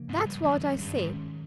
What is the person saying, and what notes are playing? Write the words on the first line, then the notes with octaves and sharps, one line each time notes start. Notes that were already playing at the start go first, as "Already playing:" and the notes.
That's what I say.
Already playing: C#3 F3 A#3 D4
G#2
G2
F#2 D#3 G#3 C#4
F#2
G2
G#2
D#3 G#3 C#4